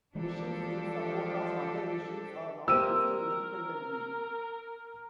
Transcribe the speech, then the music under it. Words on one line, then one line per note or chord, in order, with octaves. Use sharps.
Missions in support of other missions are not listed independently.
E3 F3 G#3 D4 G4 A4
A#3 C4 G4 A#4 E6 D#7